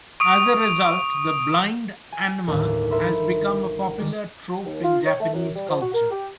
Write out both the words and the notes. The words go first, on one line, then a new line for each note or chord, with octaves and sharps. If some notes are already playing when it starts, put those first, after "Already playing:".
As a result, the "blind anma" has become a popular trope in Japanese culture.
C#6 D#6 D7
G#5 D7
G1 D#2 A2
D#4 A#4 E5 B5 C6
D#3 G3 G#3
D#2
F4
C#5
A3
F#2
G3
F3
F#4
A#4
G4